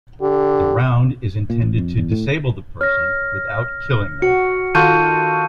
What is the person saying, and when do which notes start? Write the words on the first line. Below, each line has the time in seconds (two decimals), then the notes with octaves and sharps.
The round is intended to disable the person without killing them.
0.21 D3 G4
1.50 A#2
1.62 A1
1.78 F2
1.97 E2
2.12 A2
2.81 C#5 F6 A#6
4.22 F#4 C#7
4.75 D#3 F4 F#4 A4 A5 G6 D#7